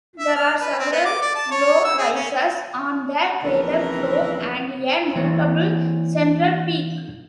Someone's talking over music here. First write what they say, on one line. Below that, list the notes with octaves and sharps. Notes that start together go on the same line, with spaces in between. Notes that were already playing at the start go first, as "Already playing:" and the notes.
There are several low rises on the crater floor and a notable central peak.
E5
F6
B4
C4
B3
D6
D5
A5
C#5
E6
G#4
C#4
A#1 C#3 E3 C4 A#4
E3 A#3 C4 E4 C#5